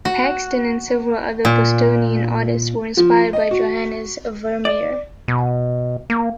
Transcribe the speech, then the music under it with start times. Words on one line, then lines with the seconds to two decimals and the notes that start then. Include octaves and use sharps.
Paxton and several other Bostonian artists were inspired by Johannes Vermeer.
0.05 F#4
1.45 A#2
2.97 F3
3.33 D#5
3.51 F#4
4.65 D5
5.28 B2
6.10 A#3